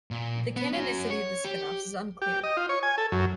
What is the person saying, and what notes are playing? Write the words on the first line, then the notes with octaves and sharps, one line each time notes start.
The canonicity of the spin offs is unclear.
A#2
B3
C#4 F#4
C#5
G4
G4
D#5
F4
C#5
G#5
A4
F#2